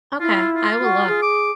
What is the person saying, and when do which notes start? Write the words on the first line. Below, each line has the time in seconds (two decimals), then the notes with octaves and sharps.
Okay, I will look.
0.20 E4 F4
0.55 F4
0.80 F#4
1.07 G#4
1.22 D6